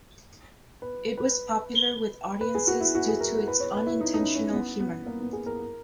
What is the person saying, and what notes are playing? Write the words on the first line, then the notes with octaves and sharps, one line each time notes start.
It was popular with audiences due to its unintentional humour.
B4
B4
B4
G#4
F#4
E4
F#4
G#4
A#4
B4
C#5
B4
E4
D#4
D#4
C#4
C#4
B3
B3
A#3
B3
G#4
A#4